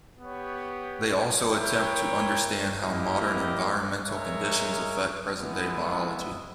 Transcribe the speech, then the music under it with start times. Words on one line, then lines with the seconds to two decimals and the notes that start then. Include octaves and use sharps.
They also attempt to understand how modern environmental conditions affect present-day biology.
0.18 B3 G4 C#5
1.47 E4 A#4 C#5 G5
2.76 A#3 E4 G4 A#4 D#5
4.05 G#3 D#4 A#4 C#5 E5
5.35 G#3 B3 E4